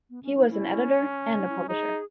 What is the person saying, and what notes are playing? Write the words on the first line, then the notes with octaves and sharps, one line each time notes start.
He was an editor and a publisher.
B3
C#4
D#4
C#4 E4
D#4
E4
F#4
D#4 G#4